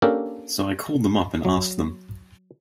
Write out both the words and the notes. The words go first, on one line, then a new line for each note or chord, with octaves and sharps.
So I called them up and asked them.
A#3 C#4 D4 G4 A4 A#4
F#3